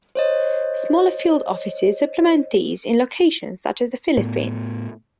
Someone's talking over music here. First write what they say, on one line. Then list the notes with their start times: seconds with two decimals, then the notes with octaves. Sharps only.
Smaller field offices supplement these in locations such as the Philippines.
0.15 C5 C#5 D#5
4.17 A2 B3